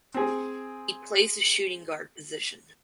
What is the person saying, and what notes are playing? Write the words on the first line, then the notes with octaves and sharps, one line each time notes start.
He plays the shooting guard position.
C4 G#4